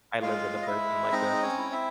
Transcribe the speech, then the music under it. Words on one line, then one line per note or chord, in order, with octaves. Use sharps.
I live with a person like this.
G#3 F4 F5
D#5
G#3 E4 E5
C4 D#4 D#5
C#4 C#5
E4
E4 E5